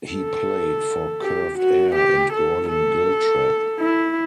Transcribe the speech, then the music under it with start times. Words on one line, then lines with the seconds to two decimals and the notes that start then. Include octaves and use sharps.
He played for Curved Air and Gordon Giltrap.
0.12 A4
1.22 G4
1.59 F#4
1.96 G4
2.33 A4
2.69 A4
3.79 E4